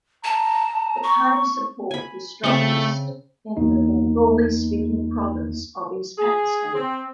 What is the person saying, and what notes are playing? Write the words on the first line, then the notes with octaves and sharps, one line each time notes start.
The party's support was strongest in the Bengali speaking province of East Pakistan.
A5 A#5
C#6
G#5 B5
C#3 A3 C4 A5
E2 A#3 D#4
G#4
C4